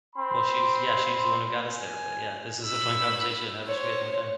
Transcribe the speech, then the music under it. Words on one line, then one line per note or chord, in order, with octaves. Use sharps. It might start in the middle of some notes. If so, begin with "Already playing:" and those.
Well, she's yeah, she's the one who got us there, but yeah, this is a fun conversation, I wish we had more time.
C4 B5 C6
G#5
B5 E6
C5 C#5